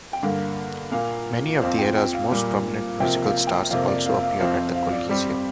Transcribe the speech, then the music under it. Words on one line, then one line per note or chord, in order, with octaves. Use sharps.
Many of the era's most prominent musical stars also appeared at the Coliseum.
G5
G2 D3 A#3 F5
A#2 A#3 F5
F2 F3 C4 F5
G5
G5
F5
A#2 G3 A#3
C3 F3 A#3 G5
F5
G5
F2 C3 A#3 F5
D5
F5
F5
F2 F3 C4 F5
F5
D5
G2 G3 C4 G4